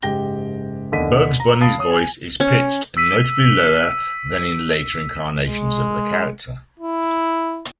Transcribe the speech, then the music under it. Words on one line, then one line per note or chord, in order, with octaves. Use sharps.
Bugs Bunny's voice is pitched noticeably lower than in later incarnations of the character.
F#1 G#2 G4 G5 A#6 G7
D#2 D3 D#5 B6 D#7
A#5
F5 A5 B5 D#6 A6 C7
C#5 D#6
G#5
C#4
E6 B6 D#7
G#3
E4